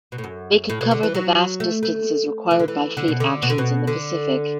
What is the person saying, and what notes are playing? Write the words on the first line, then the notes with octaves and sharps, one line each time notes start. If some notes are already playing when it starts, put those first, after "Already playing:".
They could cover the vast distances required by fleet actions in the Pacific.
B2
A2
F#2
A2
B2
D3
E3
F#3
A3
A3
E3
D3
E3
D3
B2
D3
B2
D3
B2
D3